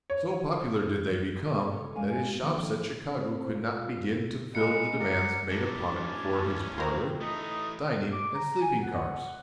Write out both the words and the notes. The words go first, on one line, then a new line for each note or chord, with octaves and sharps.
So popular did they become, that his shops at Chicago could not begin to fill the demands made upon it for his parlor, dining, and sleeping cars.
C#5
D3 A4 C#5
G#3 C#4 A#4 F5 G#5
D#3 F3 A#3 C4 D4 A4
C4
F4
G#3 A#4 B4 F5 C#7
A#4 D5 D#5 F#5
A2 F#3 D4
C#4
C4 F4 A#4
E3 A3 D#4 D#6
D6
A#5
G#5
F#5